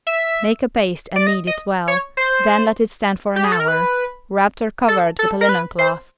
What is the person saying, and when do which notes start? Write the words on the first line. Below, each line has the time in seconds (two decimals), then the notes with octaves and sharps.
Make a paste and knead it well, then let it stand for an hour, wrapped or covered with a linen cloth.
0.07 E5
1.16 D5
1.27 D#5
1.47 D#5
1.88 C#5
2.17 C5
3.36 G4
3.44 G#4
3.52 A4
3.60 A#4
3.68 B4
4.88 A4
5.19 A4
5.41 A#4
5.49 B4
5.79 C5